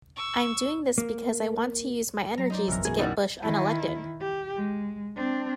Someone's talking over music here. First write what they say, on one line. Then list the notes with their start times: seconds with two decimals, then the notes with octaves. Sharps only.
I'm doing this because I want to use my energies to get Bush unelected.
0.16 C#6 E6
0.98 A#3
2.38 F#3 A#5
2.50 D#4 C5 D5
2.68 F#1 B1 F2 E3 A#4
2.85 B1 F#2 B2 G#4 G#5
2.99 E3 F3 G3 D#4 E4 F#4 A6
3.42 D#3 E4
4.20 G4
4.57 G#3
5.16 C4 D4